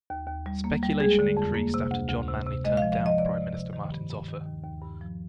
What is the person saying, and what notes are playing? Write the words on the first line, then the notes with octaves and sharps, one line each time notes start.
Speculation increased after John Manley turned down Prime Minister Martin's offer.
D#2
D#2
G3
A#3
G3
G#3 G#4
D3
F2
A#3
C3
D2
D2
C3
C3
G#3 D#5
F3 F5
F5
F3
D#5
C3 D5
C3
C3
D#3
G2
G2
D#3
D#2
D#2
G2
F3